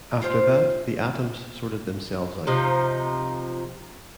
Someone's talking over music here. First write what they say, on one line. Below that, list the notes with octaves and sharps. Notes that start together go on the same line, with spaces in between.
After that, the atoms sorted themselves out.
F4 G4 C5
C3 F3 D#4